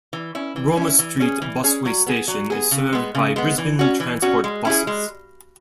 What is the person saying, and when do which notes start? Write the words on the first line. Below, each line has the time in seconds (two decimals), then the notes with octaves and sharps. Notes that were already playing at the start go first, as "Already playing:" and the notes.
Roma Street busway station is served by Brisbane Transport buses.
0.13 E3
0.35 C#4 E4
0.56 E3
0.77 C#4 E4
0.99 E3
1.20 C#4 G#4
1.42 E3
1.64 C#4 G#4
1.85 F#3
2.06 B3 G#4
2.28 F#3
2.50 B3 G#4
2.71 C#3
2.93 G#3 B3
3.15 C#3
3.36 G#3 B3
3.58 E3
3.79 C#4 F#4
4.00 E3
4.22 C#4 F#4
4.44 G#3
4.65 C#4 E4 G#4
4.87 G#3